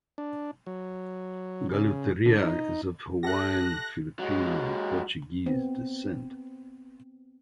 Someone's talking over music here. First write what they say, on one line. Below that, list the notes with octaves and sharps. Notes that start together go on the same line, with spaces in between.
Galuteria is of Hawaiian, Filipino, and Portuguese descent.
D4
F#3
C#3
D3
D#4
G4 A4 E5 F#6 A#6
F#3 G#3
B3 C4